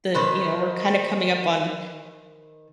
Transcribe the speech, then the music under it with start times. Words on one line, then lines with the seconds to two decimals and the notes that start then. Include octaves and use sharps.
the you know, we're kinda coming up on
0.14 D#3 B4 C5